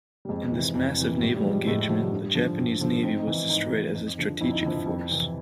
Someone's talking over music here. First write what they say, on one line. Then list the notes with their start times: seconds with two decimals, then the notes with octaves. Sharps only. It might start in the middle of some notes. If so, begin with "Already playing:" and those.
In this massive naval engagement, the Japanese Navy was destroyed as a strategic force.
0.25 G3
0.29 F2 G#3
0.52 C3 E3
0.75 F2
0.98 C3 E3
1.20 A2 G3
1.36 G3
1.44 F3 G#3
1.51 G3
1.67 A2 G#3
1.78 G3
1.89 F3 F#3
2.02 G3
2.12 G2
2.35 D3 F3
2.58 G2
2.81 D3 F3
3.03 G#2 C4
3.19 D#4
3.27 E3
3.34 D#4
3.49 G#2 D#4
3.72 E3
3.95 F2
4.18 D3 F3
4.41 F2 E4
4.52 D#4
4.63 D3 F3 E4
4.86 F2
5.09 C3 E3